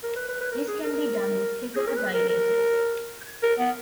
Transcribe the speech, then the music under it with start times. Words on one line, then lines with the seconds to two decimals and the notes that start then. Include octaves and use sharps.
This can be done with Hegar dilators.
0.03 A#4
0.16 B4
0.28 B4
0.41 B4
0.52 A#4
0.68 G#4
0.84 A#4
1.76 G#4
1.87 A#4
1.97 B4
2.14 A#4
2.29 A#4
3.43 A#4
3.59 B3